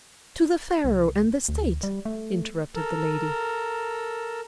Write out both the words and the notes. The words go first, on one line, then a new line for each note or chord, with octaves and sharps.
"To the pharaoh and the state!" interrupted the lady.
C2
D2
G3
A3
A4 A#4